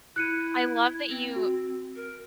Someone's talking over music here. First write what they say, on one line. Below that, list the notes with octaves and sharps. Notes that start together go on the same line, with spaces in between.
I love that you
E4 F#6 C#7 D#7
C4
F#4
A#4